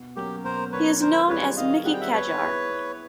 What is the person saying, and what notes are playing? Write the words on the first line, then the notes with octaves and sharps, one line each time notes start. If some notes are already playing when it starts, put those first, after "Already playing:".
He is known as "Mickey Kadjar".
Already playing: B2
F#3 A#3 C#4 G4
B2 A#4 C5
F#3 A#3 C#4 B4 C#5
D#3 A#4 C5
G3 C4 F4 G#4 B4 C#5
D#3 D#5 F5
G3 C4 F4 G#4 F#5
G5
E5 F#5
B3 B4 C#5
E4 G#4
B3